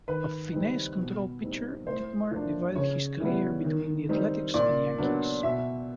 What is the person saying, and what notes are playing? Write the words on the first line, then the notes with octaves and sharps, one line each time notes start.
A finesse control pitcher, Ditmar divided his career between the Athletics and Yankees.
D#3 B4
G3 C4 D#4
B2
G3 C4 D#4
A2 C5
F3 A#3 D4
C#3 C#5
E3 G3 B3
D#3
G3 C4 D#4
A#2 D5
F#3 B3 D4
B2 E5